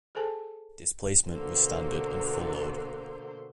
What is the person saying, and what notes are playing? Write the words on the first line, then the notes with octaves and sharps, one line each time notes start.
Displacement was standard and full load.
G#4 A4 C5 G#5 A5
B2 D3 A#3 C5